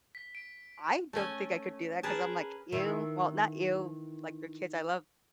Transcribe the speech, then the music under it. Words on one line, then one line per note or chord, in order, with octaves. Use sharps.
I don't think I could do that 'cause I'm like, "Ew." Well, not ew. Like, they're kids, I love
B6
D7
A3 C#4 G#5
G#4 A#4 B4 A5
D#3 E3 E4